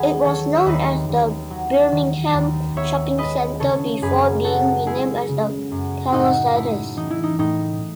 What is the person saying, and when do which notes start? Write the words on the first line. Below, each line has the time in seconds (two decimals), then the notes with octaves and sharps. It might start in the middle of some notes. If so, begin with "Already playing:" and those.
It was known as the Birmingham Shopping Centre before being renamed as The Pallasades.
Already playing: D#2 F#3 F#4 G#4 B4
0.24 D#3 A4 C#5
0.56 E5
0.66 D#2 B4 D#5
1.09 D#2
1.50 F#3
1.92 D#3
2.34 D#2
2.76 B3 C#5 E5
3.18 G#3 B4 D#5
3.60 C#3 A4 C#5
4.02 F#2 G#4 B4
4.44 B3 F#4 A4
4.86 G#3 E4 G#4
5.29 C#3
5.71 F#2
6.12 A2 D#4 F#4
6.55 A3 E4
6.96 E3 D#4
7.10 E4
7.23 D#4
7.39 A2 D#4